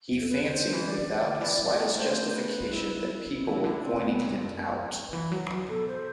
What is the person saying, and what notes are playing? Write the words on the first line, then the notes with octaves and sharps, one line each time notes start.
He fancied without the slightest justification that people were pointing him out.
E2
A4
B4
E3 B4
D3 C5
E3
D5
E3
D3
E3
G3
A3
D5
C5
B4
A3
G3 E4
G3
F#3
E3 E4
C3
D3 E4
C4
C3
B2 B3
F#2
G2
F#2
E2
F#2
D3
E3
F#3
D3
B2 A4
C5